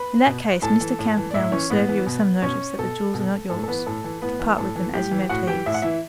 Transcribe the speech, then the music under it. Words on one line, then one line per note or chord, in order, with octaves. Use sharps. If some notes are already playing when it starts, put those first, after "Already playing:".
"In that case Mr. Camperdown will serve you with some notice that the jewels are not yours,--to part with them as you may please."
Already playing: B4 B5
B2
A2 A4 A5
E3
A2
E3
D5
A2 E4 E5
E3 C#4 C#5
A2 B3 B4
E3
B2
B2 C#4 C#5
B2 A4
B2
A2 A4
A4
E3 B3 B4
A2 A4
E3
A2 B3 B4
E3
A2 A4
E3
A2 G4
E3
A2 F#4 F#5
E3 G4 G5
A2 E5
F#5
E3 E4 E5